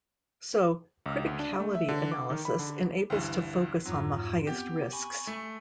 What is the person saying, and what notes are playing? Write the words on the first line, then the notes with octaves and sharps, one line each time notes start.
So, criticality analysis enables to focus on the highest risks.
C#2
D2
D4
A3
E5
D3
D6
D#3
B5
D3
D2 G2 E3
F2 G#2 F#3 F4
B3 C4 G4
G#5 B5 C#6
A3